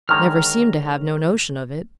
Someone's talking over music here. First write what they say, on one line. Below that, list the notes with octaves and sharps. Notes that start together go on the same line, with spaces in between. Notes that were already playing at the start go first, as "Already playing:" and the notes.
Never seemed to have no notion of it.
D3 D#3 G#3 C#5 A#5 F6